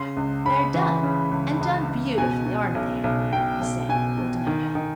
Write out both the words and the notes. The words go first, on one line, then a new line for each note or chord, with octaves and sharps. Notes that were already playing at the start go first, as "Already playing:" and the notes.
"They're done and done beautifully, aren't they?" he said, holding up one.
Already playing: C#3 C6
C#2
C#3 B5
E3
C#3
C#2
C#2
C#2
B2 G#5
B2
B1
B1
B2 G5
B1
B2 G#5
B2
D#3
D#3